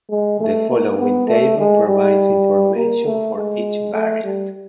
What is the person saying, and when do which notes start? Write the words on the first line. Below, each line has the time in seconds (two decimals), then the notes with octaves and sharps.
The following table provides information for each variant.
0.10 G#3
0.40 A3
0.70 A#3
0.99 B3
1.28 A3
1.58 G#3
1.87 G3
2.76 A#3
3.05 A3
3.34 G#3
3.93 A3
4.24 G3